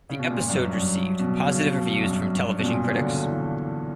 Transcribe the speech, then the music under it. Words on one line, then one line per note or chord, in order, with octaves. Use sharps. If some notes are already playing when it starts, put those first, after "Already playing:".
The episode received positive reviews from television critics.
C#3
B2
A#2
G2
F#2
G2
F#2
G2
B2
C#3
B2
G2
F#2
G2
B2
A#2
C#3
D3
E3